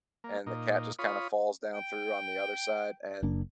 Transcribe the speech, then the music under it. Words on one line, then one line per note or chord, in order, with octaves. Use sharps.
and the cat just kind of falls down through on the other side, and
A#3
A#2 D#4
F4 C#5 B5 D#6
G5
F#1 A#3 D4